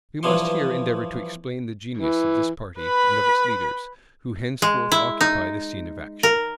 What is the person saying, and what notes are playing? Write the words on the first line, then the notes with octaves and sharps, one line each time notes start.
We must here endeavor to explain the genius of this party, and of its leaders, who henceforth occupy the scene of action.
G2 E3 F3 C6
E3
B4 B5
G#3
E4
D#4
A#4